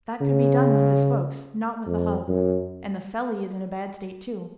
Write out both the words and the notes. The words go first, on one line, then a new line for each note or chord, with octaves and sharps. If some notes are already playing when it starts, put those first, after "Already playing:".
"That could be done with the spokes, not with the hub; and the felly is in a bad state, too."
C#3
F2
F#2